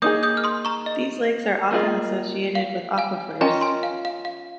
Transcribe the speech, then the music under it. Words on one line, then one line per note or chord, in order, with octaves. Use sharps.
These lakes are often associated with aquifers.
A#3 D#4 G#4 D#6 G6
D#6 G6
F6
C6 D#6
A#5 C#6
D#5
A#3 C#4 F4 G#4 D#5
F5
F5 G#5
C#4 F4 A#4 D#5 G5 A#5
G#5 C6
F5
F5
F5